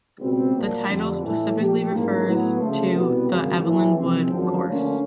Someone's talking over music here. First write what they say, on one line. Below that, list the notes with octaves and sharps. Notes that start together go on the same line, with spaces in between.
The title specifically refers to the Evelyn Wood course.
C#2 B2 G3 C4
A#2 F#3 A#3 D4
F2 D3 G3
A2 E3 A3
A#2 F3 A#3 D4 G4
A1 G#2 F3 A#3
A2 F#3 B3
D2 C#3 F3 A3
C2 B2 G3 B3
G#1 F#2 C#3
A#1 A2 E3
C2 C3 F3 G#3 C4
G#1 F#2 D3 F3
D2 D3 F3 A#3 C#4